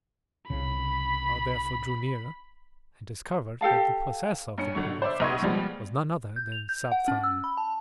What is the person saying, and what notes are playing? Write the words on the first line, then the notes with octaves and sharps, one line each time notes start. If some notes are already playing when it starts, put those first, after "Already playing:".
I therefore drew near and discovered that the possessor of the peering face was none other than Sab Than.
C2 C#3 B5
G4 A4 F5 A5
G2 C#4 C#7
G1 D3 F#3 C#6
D3
C5 D5 E5
B1 C#3 D#5 C6 C#6 G#6
F3 G3 G#3 B3
G6
F7
G6
F#5
C#4
E6
B5
A5